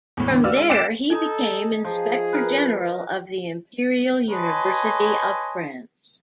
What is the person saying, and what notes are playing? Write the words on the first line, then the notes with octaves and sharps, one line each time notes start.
From there he became inspector general of the Imperial University of France.
E2 A2
D3 E3 A#3
F#4 B4 D5 F5 E6 F6
G#3
G5 D6 F#6 A6 D7 E7
D#4 A4 D#5 G#5
F3 G#4
A#4 B4
B4 C#5 D#5 G#5 A5 C6